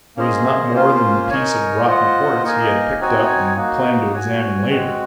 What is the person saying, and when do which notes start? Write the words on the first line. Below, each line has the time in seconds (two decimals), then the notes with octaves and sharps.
It was not more than the piece of rotten quartz he had picked up and planned to examine later.
0.16 A#3 C#4 G#4 C5 D#5
0.73 A#3 C#4 F4 C5 F5
1.30 D#4 A#4 C#5 G#5
1.86 F4 C5 D#5 F#5
2.43 A#3 D#4 A#4 D#5 G#5
3.00 C4 D#4 F#4 C#5 G#5
3.56 A#3 D#4 F#4
4.13 F#4 C#5 G#5
4.70 G#3 C4 F#4